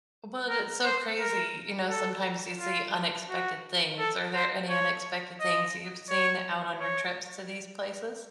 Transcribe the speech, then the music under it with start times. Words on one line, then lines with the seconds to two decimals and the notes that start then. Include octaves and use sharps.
well, that's so crazy, you know, sometimes you see unexpected things. Are there any unexpected things you've seen out on your trips to these places?
0.49 A#4
0.85 C5
1.20 A#4
1.89 A4
2.60 F4
3.30 F#4
3.99 A4
4.35 C5
4.70 C#5
5.40 D#5
6.10 C#5
6.81 C#5